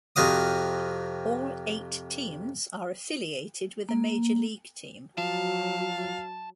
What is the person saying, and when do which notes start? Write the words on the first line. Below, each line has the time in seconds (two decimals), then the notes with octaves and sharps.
All eight teams are affiliated with a major league team.
0.16 F2 C3 F#4 F5 D#6
3.89 A#3
5.18 F3 F#3 F5 A5